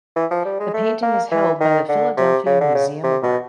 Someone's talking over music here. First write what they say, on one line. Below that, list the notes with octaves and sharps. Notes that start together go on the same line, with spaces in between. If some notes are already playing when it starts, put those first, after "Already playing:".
The painting is held by the Philadelphia Museum of Art.
E3
F3
G3
G#3
A3
A#3
E3
D#3
D3
C3
C#3
D3
C#3
C3
B2